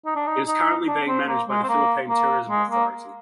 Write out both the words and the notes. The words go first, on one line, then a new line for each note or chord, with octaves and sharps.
It is currently being managed by the Philippine Tourism Authority.
D#4
D4
D#4
D#4
D4
C4
A#3
G#3
C4
A#3
A#3
G#3
A#3